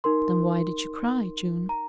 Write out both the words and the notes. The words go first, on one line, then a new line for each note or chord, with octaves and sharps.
"Then why did you cry, June?"
D#4 A#4 C6
A#5